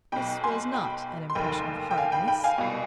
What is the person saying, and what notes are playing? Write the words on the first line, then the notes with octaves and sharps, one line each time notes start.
This was not an impression of hardness.
B1 B2 G5 B5
G#5 C6
G5 B5
C6
F1 D#2 D#3 G5 B5
G5
F5 G#5
G5 B5
G5 B5
F5 G#5
C2 B2